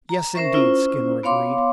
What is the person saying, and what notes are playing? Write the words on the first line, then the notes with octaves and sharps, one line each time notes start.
"Yes, indeed," Skinner agreed.
A#5
C#4 A#4 C5 E5 C#6
C#4 E4 F4 C5
B3 C#5 F5 C6 D6